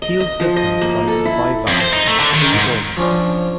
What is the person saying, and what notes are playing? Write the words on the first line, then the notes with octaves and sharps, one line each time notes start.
Thiele's system divided the bivalves into three orders.
D#5
D#5
F3
D#5
A#3
A4
E4
F2
C5
D#4
A3
D3
D#3
G#2
F3 C#4 D4